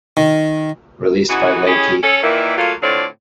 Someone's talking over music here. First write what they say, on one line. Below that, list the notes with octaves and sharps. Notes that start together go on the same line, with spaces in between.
Released by Legkie.
D#3
C#3 E3 D#4 F#4
C#4 E4 G4 G#4 C#5 D#5
C#4 A4 C#5
A#2 D#3 E3 A#3 E4
F#3 A3 A#3 F4
A2 D3 C4 F4 C#5 D5